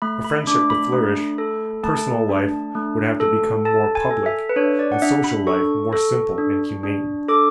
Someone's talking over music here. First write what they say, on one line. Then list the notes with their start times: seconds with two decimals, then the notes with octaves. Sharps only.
For friendship to flourish personal life would have to become more public and social life more simple and humane.
0.02 A3 B5
0.24 B5
0.47 D4 D6
0.70 B5
0.92 A3
1.38 A4
1.83 A3 A5
2.29 D4
2.75 A3
3.20 A4
3.65 A4 A5
3.95 G#5
4.11 A4
4.26 E5
4.49 B4
4.56 D4 C#5
4.79 D5
4.92 F#5
5.02 D4 E5
5.24 B5
5.47 A4 C#6
5.93 A4
6.38 D4
6.83 D4
7.28 A4 D6